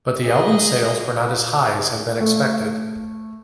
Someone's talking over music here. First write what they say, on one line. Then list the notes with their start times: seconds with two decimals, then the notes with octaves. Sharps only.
But the album sales were not as high as had been expected.
0.24 G#4 D#5
2.20 A3